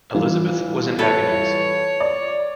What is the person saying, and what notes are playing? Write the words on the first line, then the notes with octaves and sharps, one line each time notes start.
Elizabeth was in agonies.
E3 G3 F4
A4 B4 C#5
D5